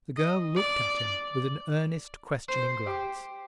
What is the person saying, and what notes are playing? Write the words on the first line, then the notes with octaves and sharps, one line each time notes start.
The girl looked at him with an earnest questioning glance.
D#5
D5
C5
G4